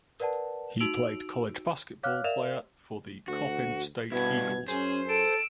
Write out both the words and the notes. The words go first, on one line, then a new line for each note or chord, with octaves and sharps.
He played college basketball player for the Coppin State Eagles.
A#4 B4 D5 F#5 A5
D#4 F#4 E6 D7 F7 F#7
C#5 F5 D6 F6 F#6
A#4 D5 E5 F5 E7 F7
D2 F#4
G2 B2 E4 G#6
F#2 C#4 G#4 C5
A4 E6 D7